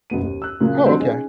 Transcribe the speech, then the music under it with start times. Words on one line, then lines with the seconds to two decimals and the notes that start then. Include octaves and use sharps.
Oh, okay.
0.10 F#1 B2 B3 D#7
0.22 D#2
0.42 E6 F#6
0.60 A#2 C#3 F#3 A#3
0.84 F3 G3 C4 D4 D#4 F#4
1.00 C#4 D#4 G#4